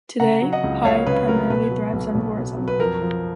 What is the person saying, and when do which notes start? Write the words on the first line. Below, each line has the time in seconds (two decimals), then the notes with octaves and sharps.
Today, Pai primarily thrives on tourism.
0.20 C#3 F#5 A#5
0.42 F#3
0.53 D#5 F#5
0.64 C#2
0.84 C#2 C#5 F5
1.07 C#3 B4
1.28 F#3 A#4
1.50 B2 B4
1.71 F#3
1.93 B1
2.15 B1
2.37 B2
2.57 F#3
2.68 B4
2.79 F2 A#4
3.02 F3